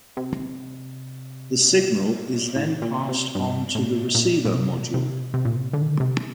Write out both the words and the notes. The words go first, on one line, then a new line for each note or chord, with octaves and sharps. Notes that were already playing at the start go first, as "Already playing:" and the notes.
The signal is then passed on to the receiver module.
C3
A2
A#2
C3
G2
A2
A#2
A#2
C3
C3
C3
A#2
C3
D3
D#3
D3
C3